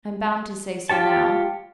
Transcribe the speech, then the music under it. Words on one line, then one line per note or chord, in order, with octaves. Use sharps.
I am bound to say so now.
F4 G4 C#5 A5